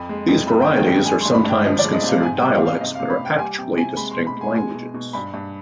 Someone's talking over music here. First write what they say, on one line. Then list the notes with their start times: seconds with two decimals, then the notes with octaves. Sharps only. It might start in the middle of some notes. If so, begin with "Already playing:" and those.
These varieties are sometimes considered dialects but are actually distinct languages.
Already playing: F2 B5
0.09 G#3
0.28 F2
0.47 G2 B5
0.62 G5
0.67 D#3
0.76 G5
0.87 G2 G5
1.06 G#3 G#5
1.21 C6
1.25 G2
1.34 B5
1.45 G2 G5
1.64 F3 D#5
1.79 D5
1.84 G#3
1.93 D#5
2.03 C3
2.08 F5
2.22 G#2 G#5
2.38 G5
2.42 G3
2.51 F5
2.62 G3 F5
2.75 F5
2.81 C3 D#5
2.95 F5
3.00 C3
3.10 B5
3.19 C3
3.25 G5
3.38 G3 G#5
3.58 C3 G5
3.78 C3 G#5
3.97 G#3 B5
4.11 C6
4.17 B2
4.27 B5
4.37 G#3 G#5
4.56 G#3 G#5
4.75 B2
4.94 B2
5.13 G2 B5
5.34 G2